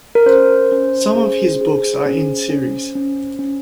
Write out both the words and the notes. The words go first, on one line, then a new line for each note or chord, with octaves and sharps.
Some of his books are in series.
A#4
C#4 C5
C#4
G#4
G#4
C#4
C#4
C#4
C#4